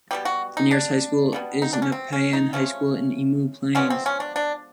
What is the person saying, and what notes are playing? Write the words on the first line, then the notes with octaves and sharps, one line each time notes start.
The nearest high school is Nepean High School in Emu Plains.
B2 G3 B3 G4
F#4
D#4
D4
B2 G3 B3
D#4
D4
C#4
C4
C#4
D#4
C#3 F3 A3 C#4
D3 F3 G#3 B3 C#4
C4
C#4
D4
D4